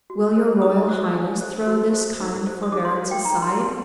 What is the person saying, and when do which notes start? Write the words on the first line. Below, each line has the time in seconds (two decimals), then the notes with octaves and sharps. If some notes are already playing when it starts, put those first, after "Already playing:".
Will your royal highness throw this kind forbearance aside?
0.10 F#4
0.37 C5
0.62 D#4 D#6
0.88 F#4 C5
1.15 D4
1.41 A4 C5
1.67 F#4
1.93 A4 C5
2.20 D#4
2.46 A4 C5
2.63 D#6
2.72 D#4 D6
2.85 C6
2.98 F#4 A#4
3.11 G5
3.25 D#4 A#5
3.42 C6
3.52 F#4 A#4
3.60 C6